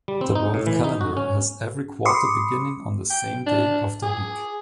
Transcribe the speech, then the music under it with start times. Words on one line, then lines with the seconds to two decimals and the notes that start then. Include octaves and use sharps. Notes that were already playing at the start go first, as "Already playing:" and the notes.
The World Calendar has every quarter beginning on the same day of the week.
0.08 G3
0.21 C4
0.35 D#4
0.54 A2
0.67 E3
0.84 D#4
1.01 F#4
1.17 C#4
2.05 B5 C6 D6 D#6 C7 C#7
3.10 G5
3.47 D4
4.03 G#4